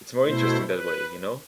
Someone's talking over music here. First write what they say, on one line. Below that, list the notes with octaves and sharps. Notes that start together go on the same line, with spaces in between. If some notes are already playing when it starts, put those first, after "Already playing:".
It's more interesting that way, you know?
B2 A3 E4 C5
B4